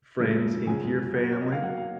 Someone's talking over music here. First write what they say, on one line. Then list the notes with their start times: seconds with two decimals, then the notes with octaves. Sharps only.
friends into your family,
0.19 F#2 C#3 F3 G#3
0.67 F#2 C#3 F3 G#3 G#5
1.14 B2 F#3 A#3
1.32 C#5
1.41 D#5
1.52 F5
1.62 B2 F#3 A#3 F#5
1.77 F5